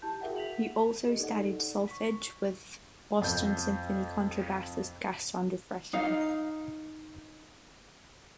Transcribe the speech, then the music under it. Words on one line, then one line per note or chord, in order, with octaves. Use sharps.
He also studied solfege with Boston Symphony contrabassist Gaston Dufresne.
E4 G4 A5 G6
F#4 G#4 A#4 E5 F#5 G5
B6 F7 F#7
G4 A4 D#5
D#4 A4 D5 F#5
C#6 B6
F2 G6
D#4 F5